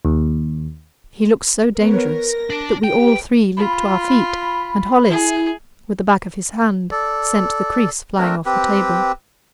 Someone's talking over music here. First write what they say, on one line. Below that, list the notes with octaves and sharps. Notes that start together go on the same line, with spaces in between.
He looked so dangerous that we all three leaped to our feet, and Hollis, with the back of his hand, sent the kriss flying off the table.
D#2
B3 A#4 B4 C#5
A#6
D4 D5
G4 B4 G5
F4 B5
E4 G#4
A4 D5
A3 C4 D4 A#4
C4 G4 B4